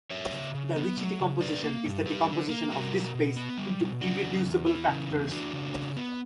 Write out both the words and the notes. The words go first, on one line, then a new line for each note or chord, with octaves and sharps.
The Ricci decomposition is the decomposition of this space into irreducible factors.
F#3 C#5 E5
C#3
C#3
B3
F#3
C#3
D3 B4 D5
A#3
G2
G3 G4 B4
D3
A#3
G3 F#4 A#4
B2
B2
B3
G3
B2
C#3 D4 F#4
E2
E2
E3
C#3
E2
E3 D4 F#4
C#3
C#3
B3